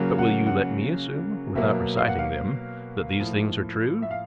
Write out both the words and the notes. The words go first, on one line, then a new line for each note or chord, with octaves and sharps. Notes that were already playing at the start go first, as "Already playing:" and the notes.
But will you let me assume, without reciting them, that these things are true?
Already playing: C#3 F#3 A#3
F#5
F#5
B2 F#3 A#3 E5
F5
F#5
F5
A2 F3 A#3
E5
F5